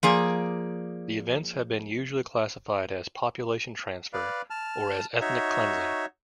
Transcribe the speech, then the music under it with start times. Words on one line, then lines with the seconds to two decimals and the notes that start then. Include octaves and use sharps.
The events have been usually classified as population transfer or as ethnic cleansing.
0.03 F3 A#3 G#4 D5
4.13 B4 D5 F5
4.50 A5 F6
5.21 D#4 F#4 C#5 E5